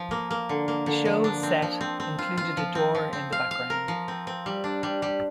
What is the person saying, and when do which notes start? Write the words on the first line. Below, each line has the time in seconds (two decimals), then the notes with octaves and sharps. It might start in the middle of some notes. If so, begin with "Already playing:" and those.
The show's set included a door in the background.
Already playing: F3
0.11 A#3
0.31 A#3
0.49 D3
0.68 A#3
0.86 D3
1.05 F3
1.24 D4
1.43 C4
1.62 F3
1.81 C4
2.00 C4
2.19 F4
2.37 F4
2.57 F3
2.75 C4
2.95 F3
3.13 C4
3.33 F5
3.51 F5
3.70 A#4
3.88 F3
4.08 C4
4.27 C4
4.46 G3
4.64 D4
4.83 G3
5.02 G3